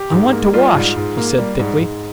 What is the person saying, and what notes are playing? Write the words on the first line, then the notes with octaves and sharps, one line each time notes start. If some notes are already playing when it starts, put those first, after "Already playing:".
"I want to wash," he said, thickly.
Already playing: G4
G#2
A#3
G3 F4
G#2
G#2
A#3
G3
G#2
G#2